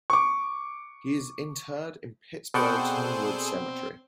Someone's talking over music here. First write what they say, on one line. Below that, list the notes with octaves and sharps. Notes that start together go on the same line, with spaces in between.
He is interred in Pittsburgh's Homewood Cemetery.
C#6 D6
B2 C4 G#4 A4 C5 D5 F#5 G5